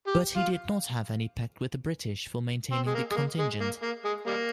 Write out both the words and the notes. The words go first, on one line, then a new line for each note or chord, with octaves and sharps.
But he did not have any pact with the British for maintaining the contingent.
G4
F4
C4
G#3
A#3
G#3
A#3
G#3
A#3
A#3
G#3
G3 A#3